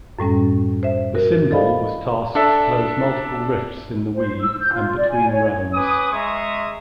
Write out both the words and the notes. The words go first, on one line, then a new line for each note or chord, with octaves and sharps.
The Simbul was tasked to close multiple rifts in the Weave and between realms.
F#2 A2 G3 C#4
C5 E5
F#4 A#4
A4 C5 D5 D#5 F5 B5
D4 A4 E5
C5
E6
G6
F4
D5
G#5
C#5
C#4 B4 G#5 D6 D#6
G#3 E5 A#5 C6 C#6 D#6